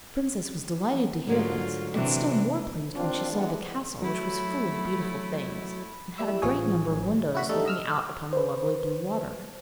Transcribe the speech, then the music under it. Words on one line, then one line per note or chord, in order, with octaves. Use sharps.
The princess was delighted to hear this, and still more pleased when she saw the castle, which was full of beautiful things, and had a great number of windows looking out on the lovely blue water.
G#2 D3 F#3 A3 F4
C3 E3 D4
D#2 C4 D4 F4
E3 G#3 B3
F#3 A3 E4
G3 E4 E6
A1 F3 C#4 G#4 C#5 G#5
E4 F#4 B5
G3 A3 D4 D#4 A4
D#5 E6 F6
B4 C5